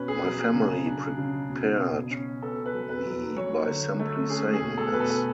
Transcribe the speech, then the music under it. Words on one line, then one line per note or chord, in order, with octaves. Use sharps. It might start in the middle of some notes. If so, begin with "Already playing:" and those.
My family prepared me by simply saying this.
Already playing: B2 C#4 B4
G#4
F#3
C#3
D4
C#3
B2
B2
C#4
B3 A4
B4
F#3
B4
F#3
F#3 C#5
D3
A3
C#4 G#4
G#4
B2
A4
B2 B4
A4